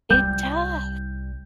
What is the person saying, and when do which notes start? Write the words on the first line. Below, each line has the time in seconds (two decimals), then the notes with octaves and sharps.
It does.
0.11 C2 G3 G6